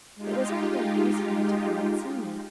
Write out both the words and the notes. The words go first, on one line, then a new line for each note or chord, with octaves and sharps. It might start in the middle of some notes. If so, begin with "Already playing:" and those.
"It was awfully nice of you to come and see me."
G#3 D#4 F4 G4